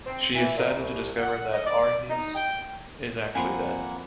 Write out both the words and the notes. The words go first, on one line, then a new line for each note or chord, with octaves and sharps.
She is saddened to discover that Arhys is actually dead.
C4
E3
A#2
C2
F#5
D#5
D5
D#4
G5
F2 A#3 C4 F#5 G#5 B5 C6